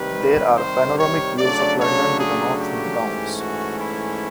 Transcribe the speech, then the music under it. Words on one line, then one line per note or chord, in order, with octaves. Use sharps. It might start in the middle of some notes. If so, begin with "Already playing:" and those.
There are panoramic views of London to the north from the Downs.
Already playing: C3 D#3 G3 B4
C5
C#5
C#3 F#3 A3 D4 D5
C#5
G#4
G4
G#2 E3 A3 C#4
F#4
E4